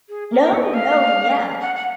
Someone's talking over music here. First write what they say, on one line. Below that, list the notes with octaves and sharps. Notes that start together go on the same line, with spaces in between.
No, no, yeah.
G#4
A#4
A#4
C#5
D#5
F5
F#5
F#5